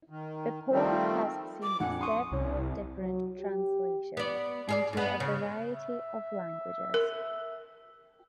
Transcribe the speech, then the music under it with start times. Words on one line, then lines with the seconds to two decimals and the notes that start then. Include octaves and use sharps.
The poem has seen several different translations, into a variety of languages.
0.10 D#3
0.71 D#3 F3 G3 A3 C4
1.63 D6
1.80 A#1 F2 F#5 G#5
2.01 C6 C#6 D#6
2.32 C2
2.98 F#3
3.40 G4
4.17 B3 D5
4.69 G#4 A#4 D5
4.93 G2 B3
5.20 C#3
5.73 E5
6.94 A#4